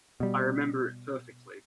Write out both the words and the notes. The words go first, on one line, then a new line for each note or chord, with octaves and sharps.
I remember it perfectly.
B2 G3